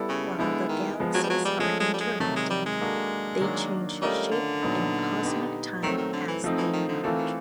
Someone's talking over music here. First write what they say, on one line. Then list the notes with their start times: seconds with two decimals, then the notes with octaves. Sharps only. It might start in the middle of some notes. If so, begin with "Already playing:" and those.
While the galaxies are interacting, they change shape in cosmic time as they merge.
Already playing: G3 B3 E4 A4 D5
0.09 C#3
0.38 D3 G#3 B3 E4
0.69 D#3
1.00 F3 G#3 B3
1.14 F#3
1.24 G3
1.30 F#3
1.45 G3
1.59 F3 G#3 A3 C#4
1.80 G#3
1.93 G3
2.00 G#3
2.20 C3 D#3 F#3 A3
2.36 G#3
2.50 G3
2.65 G#3
2.81 A#3 D4 F#4 A4
3.41 D#3 F#3 A#3 D4
4.01 G3 A3 C#4 F4 A#4 D#5
4.31 D3
4.62 A#2 F#3 B3 D#4
5.23 B3 D#4 G4
5.83 D#3 F#3 A3 C4
5.97 D#3
6.13 D3
6.28 E3
6.44 F3 A3 C4 D#4
6.58 E3
6.73 D#3
6.89 D3
7.03 D#3 E3 A3 C4 F4 A4
7.19 D#3